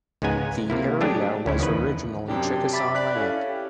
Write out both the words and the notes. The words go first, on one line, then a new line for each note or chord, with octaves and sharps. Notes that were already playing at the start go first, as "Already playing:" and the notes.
The area was originally Chickasaw land.
C#2 G#2 G#3 B3 G#5 A#5
C3 A#3 E4
F#3 A3 D4 G4 G#4
D2 C#4 E4
E2 D#3 F3 B4
F#2 C3 D4 G4
E5 B5 D6 A6
D5 F#6 B6
C#4 E4 A4 F5
G4